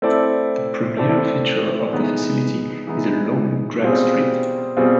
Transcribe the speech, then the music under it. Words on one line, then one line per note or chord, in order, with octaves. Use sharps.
The premier feature of the facility is a long dragstrip.
A3 C4 E4 A4 D5
A3 C4 E4 A4 D5
E3 G#3 B3 D#4
E3 G#3 B3 D#4
B2 G3 C4 F4 G#4
B2 G3 C4 F4 G#4